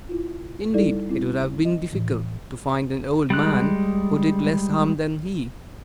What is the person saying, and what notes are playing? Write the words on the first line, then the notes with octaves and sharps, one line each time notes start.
Indeed it would have been difficult to find an old man who did less harm than he.
E4 F4
G3 D#4 E4 A4 D5
C4 E4
D#5
A2 E3
G3 G#3 F#6